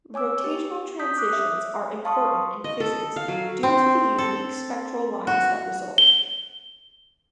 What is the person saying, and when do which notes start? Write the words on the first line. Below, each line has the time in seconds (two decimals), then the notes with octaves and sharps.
Rotational transitions are important in physics due to the unique spectral lines that result.
0.14 C#5 G#5 D6 E6
0.44 G4
0.99 D#6 G6 B6
1.18 D6 D#6 F#6
1.33 E5
2.05 F5 A5 C6 C#6 D#6
2.64 D#5
2.80 A4
3.16 F5
3.28 F#3
3.63 C4
4.18 A4
5.27 F#4
5.98 G7